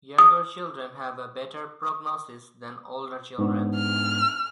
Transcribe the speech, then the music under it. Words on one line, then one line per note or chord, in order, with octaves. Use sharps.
Younger children have a better prognosis than older children.
D#6
G#2 B3 D4
F6